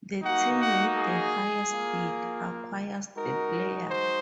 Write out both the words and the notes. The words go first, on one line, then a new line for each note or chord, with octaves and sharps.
The team with the highest bid acquires the player.
A#3 D#4 F#4 F#5
F#5
G#4
A#3 F4
G#3 D#4 F#4 A#4
C5